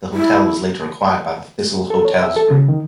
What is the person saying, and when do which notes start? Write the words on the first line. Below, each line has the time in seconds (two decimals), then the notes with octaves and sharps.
The hotel was later acquired by the Thistle Hotels group.
0.14 E4
1.90 A4
2.05 C#5
2.23 E5
2.36 A4
2.51 C#3
2.68 D#3